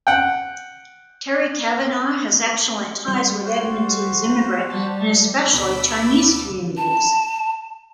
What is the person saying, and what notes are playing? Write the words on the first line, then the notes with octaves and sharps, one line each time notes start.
Terry Cavanagh has excellent ties with Edmonton's immigrant and especially Chinese communities.
F#5 G5
G3
F#4 C5
G3 A5
D2 B2 B5 D6 E6
A5